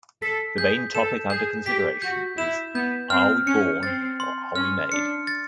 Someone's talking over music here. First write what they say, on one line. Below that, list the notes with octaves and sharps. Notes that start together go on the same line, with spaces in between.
The main topic under consideration is: "Are we born or are we made?".
A4 B6
G#4 G6
A4 E7
G#4 G6
G4 B6
F#4 G6
E4 E7
B3 G6
C4 F6
C#4 C#7
C4 A6
C6
C#4 F6
D4 C#7
A6